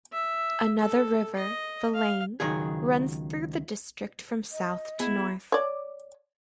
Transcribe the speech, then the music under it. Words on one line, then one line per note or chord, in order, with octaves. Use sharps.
Another river, the Leine, runs through the district from south to north.
E5
A4
D#5
F5
C#2 D#3 F#3 G#4
D#5
B3 E4 G#4
C#5 D5